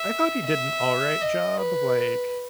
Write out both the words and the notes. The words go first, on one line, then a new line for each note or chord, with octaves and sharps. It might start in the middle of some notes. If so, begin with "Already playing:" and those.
I thought he did an all right job. Like,
Already playing: E5
E5
D#5
B4